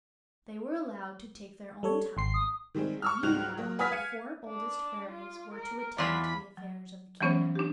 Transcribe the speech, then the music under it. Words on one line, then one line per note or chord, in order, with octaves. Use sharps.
They were allowed to take their own time, and meanwhile the four oldest fairies were to attend to the affairs of the kingdom.
G3 A4 C#5
G#1 C6 C7
D#6
D#3 G3 G#3 C4
C#6 E6 F6
C#2 G#2 G3 F#4 F#6 F7
F#3 A#3
B4 F#5 G#5 D#6 F6 B6
F5 G#6 C#7 D#7
D4
F4
A#4
E2 F#3 F4 D5 B5 C6
F#3
E3 F#3 B3 C#4 C5 C#5
D4 G4